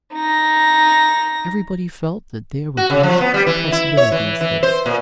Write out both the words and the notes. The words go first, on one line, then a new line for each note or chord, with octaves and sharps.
Everybody felt that there were great possibilities there.
D#4 A#6
F#4
C#3
F3
B3
G3
E3
E4
C#5
E3
E3
C5
A#2